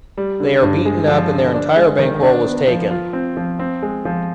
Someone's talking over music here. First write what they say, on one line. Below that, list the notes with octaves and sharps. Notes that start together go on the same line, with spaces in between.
They are beaten up and their entire bankroll is taken.
G3
D3
G2
G#3
F3
D3
D4
G#3
D#3
D4
B3
F3
F4
C4
F3
C4
G#3
F3